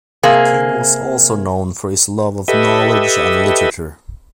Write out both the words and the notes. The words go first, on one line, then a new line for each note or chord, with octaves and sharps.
The king was also known for his love of knowledge and literature.
C3 A#3 G#4
G4 A4 B4 D#5 E5